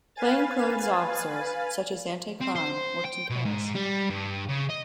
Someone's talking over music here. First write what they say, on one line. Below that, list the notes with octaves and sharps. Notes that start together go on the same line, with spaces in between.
Plain clothes officers, such as anti-crime, worked in pairs.
B4 F5 G#5 A6
C4
C5
G5
B2
G#2
G3
G2
C#3
D#5